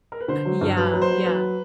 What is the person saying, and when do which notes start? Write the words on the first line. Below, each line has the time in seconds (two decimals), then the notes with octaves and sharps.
Yeah, yeah.
0.12 A#4
0.21 B4
0.28 D3 C5
0.45 F#3
0.61 G2
0.77 F#3 B4
0.94 F#3
1.02 C5
1.10 F#3
1.26 F#3 B4